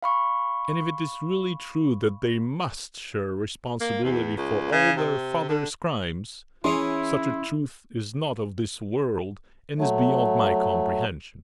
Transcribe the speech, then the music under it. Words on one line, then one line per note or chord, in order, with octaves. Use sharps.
And if it is really true that they must share responsibility for all their fathers' crimes, such a truth is not of this world and is beyond my comprehension.
F5 B5 C#6
A#3
E2
C#2
C#3
C3
D3
E3 C#4 E4 G#4 C#5 C6
F#3 A3